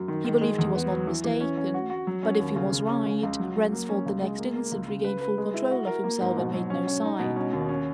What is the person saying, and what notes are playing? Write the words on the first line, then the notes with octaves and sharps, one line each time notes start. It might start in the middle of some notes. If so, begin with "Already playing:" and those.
He believed he was not mistaken--but if he was right, Ransford the next instant regained full control of himself and made no sign.
Already playing: F#2
D#3
D#3
G#3
E2
B3
F#3
E3
E3
C#4
C#4
F#4
F#4
F#3
C#4
D#2
C#3
C#3
C#4
C#3
C#2
F#3
F#3
A#3
C#4
C#2
G#3
A#3
A#3
C#2
C#3
B4
B4
G#3
E4
F#4
A#4
A#3
G#2
B2
F#3
C#4
C#4
D#4
B2
C#4
D#2
C#4